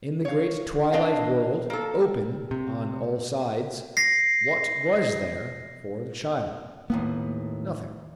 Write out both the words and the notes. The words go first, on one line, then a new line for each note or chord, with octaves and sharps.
In the great twilight world, open on all sides, what was there for the child? Nothing.
C#5 F5
D4 D#5 F5
A#3 A4
C3
A#6 C7
D#2 A2 A#3 B3